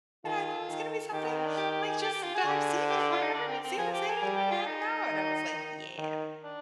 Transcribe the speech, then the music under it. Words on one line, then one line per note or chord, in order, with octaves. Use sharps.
I thought it was gonna be something, like, just that I've seen before, I've never even seen this, I didn't even know they had it out!" And I was like, "Yeah.
D#3 F4
D#3
D#3 G4
B3
C4
D4
G4
G4
G#4
G4
G4
F4
G#4
D3
G4
D4
F4
D#4
D4
C4
C4
F3 G#4
G4
G#4
G3 G#4
G4
F4
D#4
D#3
D#3
D#3
D4